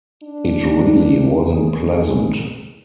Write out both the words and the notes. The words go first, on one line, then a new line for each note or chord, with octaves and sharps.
It really wasn't pleasant.
D4
G#4